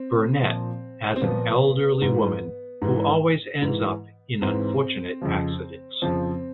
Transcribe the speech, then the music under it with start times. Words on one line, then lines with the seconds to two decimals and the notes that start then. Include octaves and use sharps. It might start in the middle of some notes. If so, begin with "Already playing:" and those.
Burnett as an elderly woman who always ends up in unfortunate accidents.
Already playing: C4
0.41 A#2 F3
1.16 C4
1.21 A#2 F3 B3
2.02 G#2 E3
2.82 G#2 E3
3.62 G#2 E3
4.42 G#2 E3 C4
5.21 F2 C#3 F3
6.02 F2 C#3 F3 C4